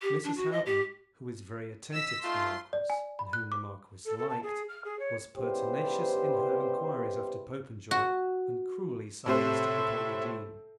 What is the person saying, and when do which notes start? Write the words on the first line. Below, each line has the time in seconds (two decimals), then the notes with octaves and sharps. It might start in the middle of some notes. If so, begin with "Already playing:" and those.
Mrs. Houghton, who was very attentive to the Marquis and whom the Marquis liked, was pertinacious in her enquiries after Popenjoy, and cruelly sarcastic upon the Dean.
0.01 G4
0.23 D4
0.36 F#4
0.52 D#5
0.66 G4
1.91 D#5 E6 B6
2.24 A3 D#4 F4 C6
2.73 D5
2.90 G#5
3.19 B5
3.33 F#6
3.52 D6
4.05 A4
4.17 A4
4.29 A5
4.42 G#4
4.68 F6
4.84 G#4
4.99 C#5
5.37 C#3 G3 B3 E4 G4 C5
7.91 F#4
9.26 A2 C3 A4 C5 E5